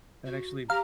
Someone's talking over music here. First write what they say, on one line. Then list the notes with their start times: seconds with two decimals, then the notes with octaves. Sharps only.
that actually
0.26 F#4
0.70 G4 F5 A#5